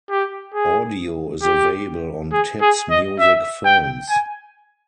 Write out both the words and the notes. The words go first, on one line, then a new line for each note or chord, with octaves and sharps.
Audio is available on Tips Music Films.
G4
G#4
G4
G#4
G#4
D#5
E5
G5
G#5